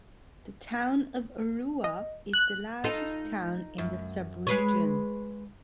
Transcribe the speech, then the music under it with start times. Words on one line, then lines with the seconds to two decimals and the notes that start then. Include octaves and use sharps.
The town of Arua, is the largest town in the sub-region.
1.84 D#5
2.33 F#6
2.84 D#4 F4 A4
3.78 F#2
4.47 G#3 B4 C#5